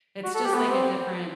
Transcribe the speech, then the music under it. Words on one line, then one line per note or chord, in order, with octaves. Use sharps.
it's just, like, a different
F#4
A4
G4
B3
C4